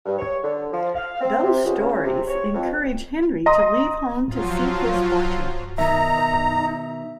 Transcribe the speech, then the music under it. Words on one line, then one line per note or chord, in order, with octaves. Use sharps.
Those stories encourage Henry to leave home to seek his fortune.
G2
C#5
D3
F3
F5
C4
C3
C#2
C#3
C3
C#5
F2
D#5 A#5 C6 D#6
D1 F3 F#3 F4
B2 D#3 D#4 E5 A#5